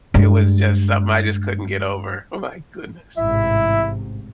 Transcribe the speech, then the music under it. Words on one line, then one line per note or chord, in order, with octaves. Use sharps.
it was just something I just couldn't get over, oh my goodness.
G2 G#3
A1 G#2 C3 E4 E5